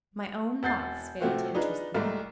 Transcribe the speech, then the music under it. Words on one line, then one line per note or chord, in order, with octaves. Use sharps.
My own moths failed to interest me.
E1 F#5 G6 A6 C7
C3 F3 A3 C4 F4 F#4
D4 D#4 F4 G#4 B4
C2 G#2 G3 A3 A#3